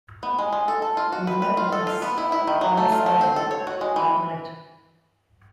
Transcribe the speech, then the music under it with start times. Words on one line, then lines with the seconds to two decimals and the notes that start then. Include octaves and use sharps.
We've met once - on the sidewalk at night.
0.23 B3
0.39 G#3
0.53 G#3
0.68 A4
0.82 A4
0.97 F4
1.12 F#4
1.27 B4
1.42 B4
1.57 F4
1.72 A4
1.87 F4
2.02 B3
2.18 E4
2.32 E4
2.47 D#3
2.61 F#3
2.77 A3
2.92 F4
3.06 A3
3.21 C4
3.36 A4
3.51 C#5
3.67 F#4
3.81 G#3
3.96 E3